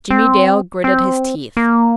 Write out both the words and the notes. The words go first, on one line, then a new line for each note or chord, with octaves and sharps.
Jimmie Dale gritted his teeth.
C4
C4
A#3